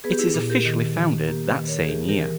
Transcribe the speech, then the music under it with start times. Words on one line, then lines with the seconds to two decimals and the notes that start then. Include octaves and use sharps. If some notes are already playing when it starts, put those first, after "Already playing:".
It is officially founded that same year.
0.04 B3 G#4 B4
0.12 G4
0.19 E4 G#4
0.34 A#2
0.50 G4 A#4
0.66 D#3
0.97 D#3
1.27 A#3 G4 A#4
1.48 B4 D#5
1.58 D#3
1.68 A#4 C#5
1.83 G#4
1.89 E3 G4 A#4
2.09 G4 A#4
2.19 E3 A#4